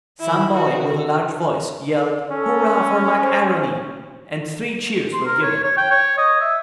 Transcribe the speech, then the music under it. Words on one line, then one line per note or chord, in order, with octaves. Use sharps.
Some boy with a large voice yelled, "Hurrah for Mac A'Rony!" and three cheers were given.
D#3 E4 B5
F#4
C#4 A4
C5
C6
A#4
C#5
C#5
G5
C#5
D#5
E5